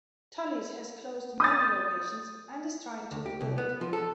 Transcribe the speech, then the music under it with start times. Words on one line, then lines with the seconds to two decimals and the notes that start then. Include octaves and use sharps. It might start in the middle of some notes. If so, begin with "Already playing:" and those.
Tully's has closed many locations and is trying to rebuild.
1.40 D#6 G6 A6
3.11 D2
3.26 G4
3.41 C2
3.58 B3
3.81 F3
3.93 A4